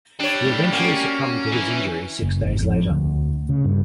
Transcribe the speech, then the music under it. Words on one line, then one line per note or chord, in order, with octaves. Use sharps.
He eventually succumbed to his injuries six days later.
G3 D4 C#5
A2
A#3 C#4 F#4
E3
F#1
G#1
F2
D2
C#3
G2